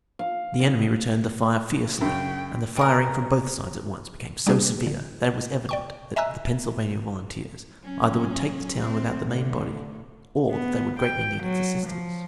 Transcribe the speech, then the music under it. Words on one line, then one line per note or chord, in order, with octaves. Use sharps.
The enemy returned the fire fiercely, and the firing from both sides at once became so severe that it was evident the Pennsylvania Volunteers either would take the town without the main body, or that they would greatly need its assistance.
F5
D#5
F#2 C#3 G5
G3 G#4 A#4
G3 A#3 D4 G4 G#4
D3
D5 G5 C#6
D#5 E5 G#5 A#5 E6 F#6
F#3 C#4
A3 C4
A2 D3
B3
G5
F#3
F3